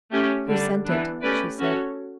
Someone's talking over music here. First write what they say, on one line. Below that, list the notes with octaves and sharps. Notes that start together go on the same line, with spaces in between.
"Who sent it?" she said.
A3 C#4 G4
D3 G3 D4
E3 B3 D4
A3 C#4 G4 B4 D5
C#4 F#4 A4 C#5